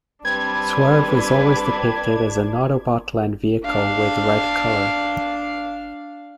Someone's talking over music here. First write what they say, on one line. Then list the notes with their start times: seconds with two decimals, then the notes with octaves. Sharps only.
Swerve is always depicted as an Autobot land vehicle with red color.
0.25 G3 C4 D4 B4 G#6
3.64 D4 F5